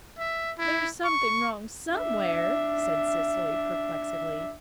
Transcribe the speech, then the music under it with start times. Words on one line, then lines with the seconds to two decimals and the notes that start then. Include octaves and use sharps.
"There's something wrong somewhere," said Cecily perplexedly.
0.19 E5
0.58 E4
1.04 C#6
1.92 D4 E5